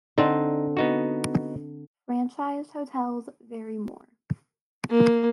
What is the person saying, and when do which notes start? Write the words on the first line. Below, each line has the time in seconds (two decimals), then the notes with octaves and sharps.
Franchised hotels vary more.
0.18 D3 C4 D#4
0.77 B3 D#4 F#4
4.91 A#3